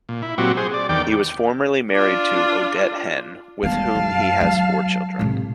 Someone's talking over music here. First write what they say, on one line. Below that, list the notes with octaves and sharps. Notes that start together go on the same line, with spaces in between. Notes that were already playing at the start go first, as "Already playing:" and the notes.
He was formerly married to Odette Heyn, with whom he has four children.
A#2
E4
A#2 F#3 C4 F#4 G4
G#4 C5
D5
E2 D#3 D5 G5
D4 F4
G3 B3 F5 A5
F#2
F#3
A2 C3